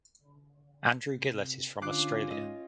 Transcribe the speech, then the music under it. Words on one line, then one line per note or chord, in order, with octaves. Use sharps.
Andrew Gillett is from Australia.
C3
D3 C#4 F4 D6 F#6 C7
G#2 D#5